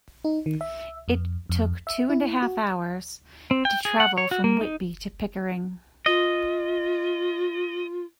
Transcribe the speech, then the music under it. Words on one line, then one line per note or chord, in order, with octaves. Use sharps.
It took two and a half hours to travel from Whitby to Pickering.
D#4
D#3
E5
F2
F2
E5
E4
F#4
C4
G5
G#4
F#5
C#5
F#4
A#3
D#4
F4 D#5